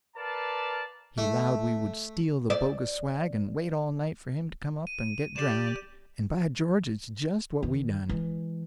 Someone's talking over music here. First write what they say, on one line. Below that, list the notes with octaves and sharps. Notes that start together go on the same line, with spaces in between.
He allowed we would steal the bogus swag and wait all night for him to come up and get drownded, and by George it's just what we done!
A#4 B4 D5 F5 A5
A3
D5
D#7
G4 D5 E7
D#3
E3 G#3